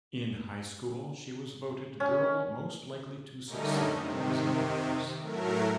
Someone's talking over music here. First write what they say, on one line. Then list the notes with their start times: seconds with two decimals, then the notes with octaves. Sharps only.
In high school she was voted Girl Most Likely to Succeed as an Actress.
2.00 C#4
3.47 D3 G3 A3 C#4 D#4 A#4
3.88 C3 D#3
5.19 A2 F#3 A3 A#4